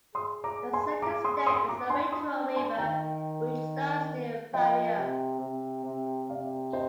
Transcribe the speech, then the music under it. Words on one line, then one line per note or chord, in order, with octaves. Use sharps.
The second stem is the Waitoa River, which starts near Piarere.
G#4 C6 D#6
A#5 D6
G#5 C6
A#5 D6
C6 D#6
C6 D#6
A#5 D6
D4 G#5 C6
C6 D#6
D4
G#5 C6
D#3 G5 A#5
F3 D#5 G5
C3
C3
C3
C3 D5 F5
C5 D#5